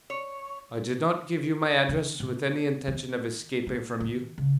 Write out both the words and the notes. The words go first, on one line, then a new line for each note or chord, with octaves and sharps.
I did not give you my address with any intention of escaping from you.
C#5
D3
B2
D#3
A#3
D#3
C#3